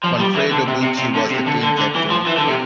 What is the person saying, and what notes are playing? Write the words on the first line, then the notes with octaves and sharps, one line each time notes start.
Manfredo Bucci was the team captain.
F3
G3
E3
D3
C3
C3
C3
D3
C3
D3
D3
D3
E3
F3
E3
D3
C3